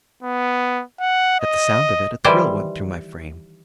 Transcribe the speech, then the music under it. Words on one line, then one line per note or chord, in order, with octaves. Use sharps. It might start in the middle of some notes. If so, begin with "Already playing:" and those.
At the sound of it, a thrill went through my frame.
B3
F#5
D#5
D#3 E3 G3 E4 C5 D5